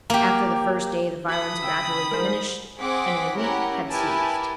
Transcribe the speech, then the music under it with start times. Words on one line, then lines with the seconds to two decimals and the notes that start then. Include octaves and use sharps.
After the first day the violence gradually diminished, and in a week had ceased.
0.10 A#3 G4
1.28 F#4 A4 B5 D#6
1.63 C#3 F#5 G5 E6
2.11 G#3 D#4 A#4 C5
2.79 C4 G#4 F#5 D6 B6
3.36 C#4 E4 G4 A#4 F#5
3.89 E4 G4 A#4 B4 G#5 A5